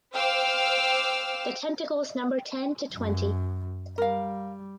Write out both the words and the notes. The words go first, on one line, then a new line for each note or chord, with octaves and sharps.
The tentacles number ten to twenty.
C5 F5 G5 D6 E6 F6
F#2
G3 A#4 F5